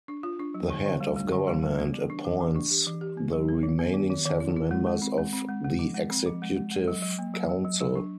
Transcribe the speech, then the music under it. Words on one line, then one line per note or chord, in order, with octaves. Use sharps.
The Head of Government appoints the remaining seven members of the Executive Council.
D4
F4
D4
F#3
D3
D3
G3
G3
D3
G3
G3
B3
E3
D4
E3
E3
D4
G4
E3
G4
B3
F#3
B3
D#3
B3
D#3
D#3
D#3
E4
E4
G#3
G#3
C4
G#3
C4
G#3
G#3
F3
G#3
C4
F3
G#3
G#3
G#3
F#3
F#3
A#3
F#3
F#3
F#3
F#3
D4